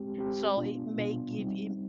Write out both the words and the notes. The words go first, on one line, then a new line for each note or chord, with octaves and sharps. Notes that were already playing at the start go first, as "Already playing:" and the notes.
So it may give I
Already playing: G#3 C4 G4
G#3 C4 G4
B2 B3 D4 F4
B2 B3 D4 F4
G3 C4 D#4